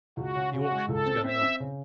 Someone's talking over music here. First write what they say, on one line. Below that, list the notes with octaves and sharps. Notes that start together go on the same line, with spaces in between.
The auction was going on.
C#2 F#4
C#3
C#3 F#4
G#3
C#2 A4
C4
C4 E5
C4
C#3